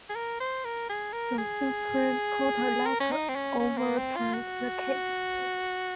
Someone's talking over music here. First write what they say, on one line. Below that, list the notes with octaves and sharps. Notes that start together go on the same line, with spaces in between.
The Supreme Court later overturned the case.
G#4
A#4
C5
A#4
G#4
A#4
G#4
A#4
C#4
D#4
C4
C#4
C#4
A#3
C4
F4
F#4